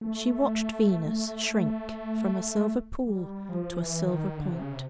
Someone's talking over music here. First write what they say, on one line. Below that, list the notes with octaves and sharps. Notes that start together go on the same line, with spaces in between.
She watched Venus shrink from a silver pool to a silver point.
A3
A3
A3
G3
F3
E3
D#3
D3
C3
C#3
C3